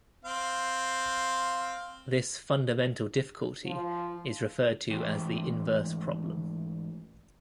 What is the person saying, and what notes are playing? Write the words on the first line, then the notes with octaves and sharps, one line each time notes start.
This fundamental difficulty is referred to as the inverse problem.
C4 F5
F3
G#2 E3 A3 C#4 G5